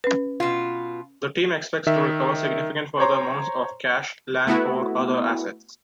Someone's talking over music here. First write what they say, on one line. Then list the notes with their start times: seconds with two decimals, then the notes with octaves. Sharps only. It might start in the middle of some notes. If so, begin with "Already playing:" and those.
The team expects to recover significant further amounts of cash, land or other assets.
0.04 C#4 B4
0.40 B2 F4
1.87 D#3 E5
2.99 C5 C#5 A#5 C6
4.47 A3 B3 E4 F#4